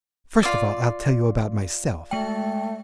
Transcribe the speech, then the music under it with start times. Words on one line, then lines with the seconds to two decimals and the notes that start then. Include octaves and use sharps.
First of all I'll tell you about myself.
0.43 F4 D5
2.11 G#3 A3 G5